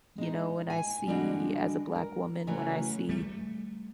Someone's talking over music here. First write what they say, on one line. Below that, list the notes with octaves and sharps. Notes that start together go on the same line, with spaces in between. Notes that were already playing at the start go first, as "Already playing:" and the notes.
You know, when I see as a Black woman, when I see
G#3 D#4
G#5
D3 G3 G#3 D4 F#4
A#4
C#3 E3 F#3 G3 A3
G3 A3